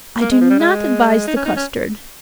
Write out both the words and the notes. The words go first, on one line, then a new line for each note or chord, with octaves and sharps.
I do not advise the custard.
A#3
G#3
F3
G3
G#3
D#4
C#4
D#4
C#4